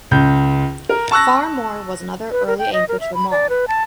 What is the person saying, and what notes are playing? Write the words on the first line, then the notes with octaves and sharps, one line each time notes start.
Phar-Mor was another early anchor to the mall.
C#2 G6
A#4
A5 C#6 E6 F#6 A#6
B4
A#4
G5
D#5
A#4
E5
B5
D5
B4
A5